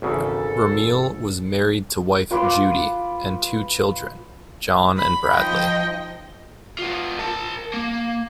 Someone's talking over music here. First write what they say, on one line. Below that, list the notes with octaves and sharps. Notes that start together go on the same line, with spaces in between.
Ramil was married to wife Judy, and two children, Jon and Bradley.
G#1 E2 C#3 A4
F4 B4 C6 D6
B5
F3 D#4 D#5 G5
B3 F4
A#4 A5
A#3